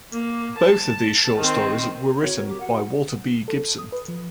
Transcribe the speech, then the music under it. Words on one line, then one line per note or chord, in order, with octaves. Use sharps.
Both of these short stories were written by Walter B. Gibson.
A#3
A5
D#3 C4
C4 F#4 A#4 C#5
G4
F#5
A4
D#6
B4
F3